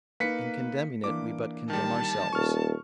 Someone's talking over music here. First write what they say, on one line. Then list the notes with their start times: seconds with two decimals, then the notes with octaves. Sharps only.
In condemning it we but condemn ourselves.
0.20 A#3 D#4 B4 B6 C#7
1.04 E3 A#3 D4 D6
1.70 D#3 G3 A5
2.33 D#1 C#6 F6